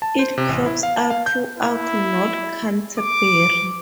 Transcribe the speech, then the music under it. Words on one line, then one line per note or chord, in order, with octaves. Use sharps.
It crops out throughout North Canterbury.
A5
C5
C3
A1
E4
F5
A5
F5
G6
E4
D6